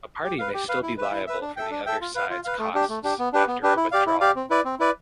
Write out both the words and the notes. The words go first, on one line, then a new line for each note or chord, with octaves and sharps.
A party may still be liable for the other sides costs after a withdrawal.
G4
B4 F5
G4
B4 F5
E4
B4 E5
E4
B4 E5
D4
A4 E5 G5
D4
A4 E5 G5
F4
B4 F5
F4
B4 F5
A3
D4 G4
A3
D4 G4
B3
D4 G4 B4
B3
D4 G4 B4
E4
G4 D5 F5
E4
G4 D5 F5
C4
E4 B4 D5
C4
E4 B4 D5